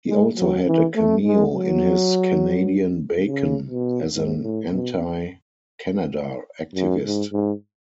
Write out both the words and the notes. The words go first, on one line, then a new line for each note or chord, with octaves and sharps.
He also had a cameo in his "Canadian Bacon" as an anti-Canada activist.
G#3
F#3
E3
A3
G#3
F#3
C#3
B2
G#2
A2
B2
F#2
G#2
G#2